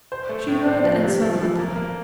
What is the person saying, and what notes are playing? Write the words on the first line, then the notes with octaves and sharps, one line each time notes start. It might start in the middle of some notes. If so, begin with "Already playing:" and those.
She heard and saw nothing.
C5
A3
A2
C4
F3
C3
F3
F3
A#3
A#3